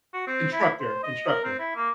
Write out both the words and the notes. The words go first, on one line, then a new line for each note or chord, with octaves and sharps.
Instructor, instructor.
F#4
C4
E4
C5
D#5
A#4
C4
E4
A#3